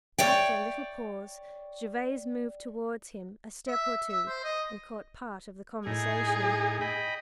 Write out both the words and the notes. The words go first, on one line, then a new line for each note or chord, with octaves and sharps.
After a little pause Gervase moved towards him a step or two, and caught part of the conversation.
C#5 D5 G5
E5
E5
C5
D#5
A2 D#4 G#4
D#5 G5 B5